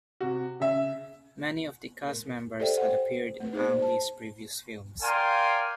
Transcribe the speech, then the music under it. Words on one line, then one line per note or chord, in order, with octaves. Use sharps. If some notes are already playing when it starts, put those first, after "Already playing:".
Many of the cast members had appeared in Ang Lee's previous films.
C3 F#4
C#3 E5
A#4
G4 A4 C5 D5 E5 G5
C5 F#5
A3 B4
D#4 G#4 C5
C5 A5
A#4 D5 F5 G5 G#5 C6